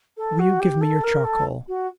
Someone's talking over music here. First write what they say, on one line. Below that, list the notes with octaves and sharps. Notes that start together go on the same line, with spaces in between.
Will you give me your charcoal?'
A4
F#4
G4
A4
A#4
A4
F#4